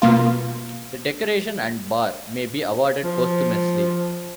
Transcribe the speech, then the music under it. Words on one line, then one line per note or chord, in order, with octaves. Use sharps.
The decoration and bar may be awarded posthumously.
B2 A#3 F4
F3